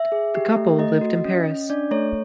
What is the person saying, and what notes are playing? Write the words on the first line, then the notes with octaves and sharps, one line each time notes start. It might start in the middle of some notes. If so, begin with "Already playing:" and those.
The couple lived in Paris.
Already playing: E5
G#4
G4
A3
A3 D#5
F#4
C#4
C#4
D4 D5
A3 C#5